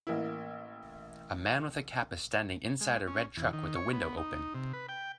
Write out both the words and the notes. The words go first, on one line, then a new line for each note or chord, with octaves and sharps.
A man with a cap is standing inside a red truck with the window open.
A1 A#3 E4
G#3
C#4
E2
D#3
C#5
B3
D#4
C3
B4
G5